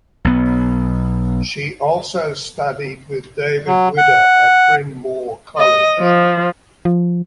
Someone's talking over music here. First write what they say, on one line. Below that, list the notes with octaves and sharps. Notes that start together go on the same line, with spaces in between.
She also studied with David Widder at Bryn Mawr College.
B1 B3
F#3
F#5
D#5
F3
F3